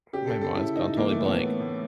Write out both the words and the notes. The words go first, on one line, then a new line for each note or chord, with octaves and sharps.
my mind's gone totally blank.
C#3 G4
A4
C#3
A4
C#3 E4
C#3 D#4
E3 A#3
A3
A2
B3
A2
A2